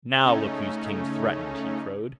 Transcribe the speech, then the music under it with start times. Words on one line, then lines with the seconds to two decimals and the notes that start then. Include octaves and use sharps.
"Now look whose king's threatened!" he crowed.
0.23 C#3 A3 C#4 D#4